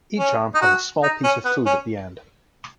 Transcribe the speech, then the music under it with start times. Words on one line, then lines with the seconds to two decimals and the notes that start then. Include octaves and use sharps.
Each arm has a small piece of food at the end.
0.19 C#4
0.55 D#4
0.61 F#4
1.03 D#4
1.24 C#4
1.45 B3
1.66 C#4